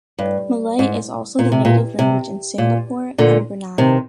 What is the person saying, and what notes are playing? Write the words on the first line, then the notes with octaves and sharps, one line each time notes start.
Malay is also the native language in Singapore and Brunei.
G2
G#2
A#2
C3
A#2
C3
A#2
A#2 D3
C3 D#3